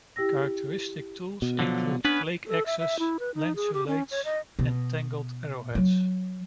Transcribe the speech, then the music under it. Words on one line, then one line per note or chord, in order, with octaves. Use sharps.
Characteristic tools include flake axes, lanceolates and tanged arrowheads.
E4 G4 G5 E6 A#6
B2
D3 F3 F#3
B3 C#4 D4 B4
A4
E5
E5
E4
B4
D#4
G#4
G4
C#4
C#5
D#5
B2
F#3